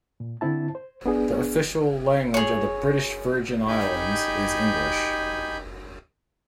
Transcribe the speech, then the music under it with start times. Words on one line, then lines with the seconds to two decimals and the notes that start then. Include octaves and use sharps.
The official language of the British Virgin Islands is English.
0.20 A#2
0.41 D3 C4 E4 A5
0.75 C5
1.06 B3 D4 G#4
2.34 G#4 C#5
3.68 D#4 G4 G#5 B5 G6